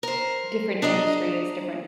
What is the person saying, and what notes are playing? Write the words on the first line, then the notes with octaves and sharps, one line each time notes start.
different industries, different
A#4 C5
D4 G#4 D#5 A#5